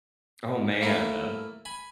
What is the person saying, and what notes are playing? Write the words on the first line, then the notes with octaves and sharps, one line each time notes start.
Oh, man, uh
A3 A#3 E4 A4 A#4
G#5 B5